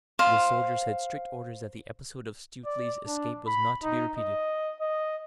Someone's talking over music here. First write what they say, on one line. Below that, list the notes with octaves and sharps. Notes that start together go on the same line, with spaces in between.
The soldiers had strict orders that the episode of Stuteley's escape was not to be repeated.
C5 F5
D5
D4
B5
D#4
D#5
D#5